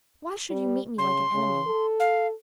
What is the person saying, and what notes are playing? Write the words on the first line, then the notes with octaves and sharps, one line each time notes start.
Why should you meet me like an enemy?
G3
C#3 C6
C#3
A4
F5